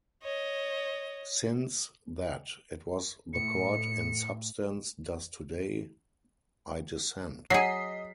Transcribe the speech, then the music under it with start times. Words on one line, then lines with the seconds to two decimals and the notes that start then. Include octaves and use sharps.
Since that is what the Court in substance does today, I dissent.
0.23 C#5 D#5
3.33 A2 C#7
7.50 F#3 G#4 D#5 B6 C7